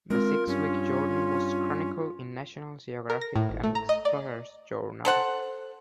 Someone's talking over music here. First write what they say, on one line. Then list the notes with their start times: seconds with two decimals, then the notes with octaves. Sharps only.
The six-week journey was chronicled in "National Geographic" and "Explorers Journal".
0.10 G#3 C4 F4 A#4
0.48 G2 C#4
3.10 A#4
3.21 A#6
3.36 A2
3.49 G#1
3.64 A3
3.75 A#5
3.89 D#5
4.05 D5
5.05 A4 C5 F#5